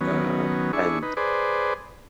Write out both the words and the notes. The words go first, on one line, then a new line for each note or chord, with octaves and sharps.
Um, and
D#3 F#3 B3 C#4
D4 E4 G#4 C#6
D#4 B4
G#4 B4 C5 D5